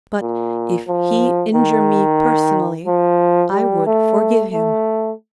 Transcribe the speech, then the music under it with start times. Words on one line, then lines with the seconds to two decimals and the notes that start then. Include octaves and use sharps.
But if he injure me personally, I would forgive him.
0.21 A#2
0.87 F3
1.54 D#3
2.86 F3
3.52 G3
3.86 A3
4.52 A3